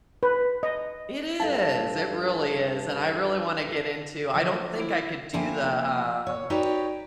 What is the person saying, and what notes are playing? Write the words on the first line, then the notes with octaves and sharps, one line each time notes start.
It is. It really is, and I really wanna get into I don't think I could do the, um,
B4
D#5
G2 A4 C5 F5 A5
D3 F3 F#3 A3
E4
F3 A#3 E4 G4 G#5
C#5
D#4 F#4 G4 B4 C#5 D5